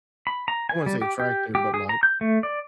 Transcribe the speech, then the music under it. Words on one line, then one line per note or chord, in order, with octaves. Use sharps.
I wouldn't say attractive, but, like
B5
A#5
G#5
G3
G4
G4
G4
G#4
A#5
G6
A3
D5